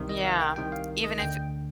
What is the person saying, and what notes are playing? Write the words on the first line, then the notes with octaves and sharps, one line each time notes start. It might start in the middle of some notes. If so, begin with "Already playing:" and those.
Yeah, even if
Already playing: C2 C3 D#3
D#5
F5
G5
C2 C3 D#3 G5
F5
D#5
D2 D3 G5